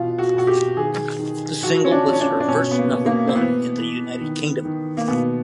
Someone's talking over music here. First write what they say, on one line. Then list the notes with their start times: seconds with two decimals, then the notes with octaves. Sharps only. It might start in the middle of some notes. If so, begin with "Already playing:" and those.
The single was her first number one in the United Kingdom.
Already playing: B2 E3 F4
0.18 F#4
0.34 B2 F#4
0.47 G4
0.76 D#3 G#4
1.19 D#3
1.62 F3 F#4
1.84 C#4
1.91 D4
2.06 F3
2.13 C#4
2.21 D4
2.40 D4
2.48 B2 C#4
2.71 B3
2.78 A#3
2.92 B2
3.06 A#3
3.27 C4
3.35 E3 B3
3.78 E3
4.21 D#3
4.65 D#3
4.97 A#3
5.08 B2 B3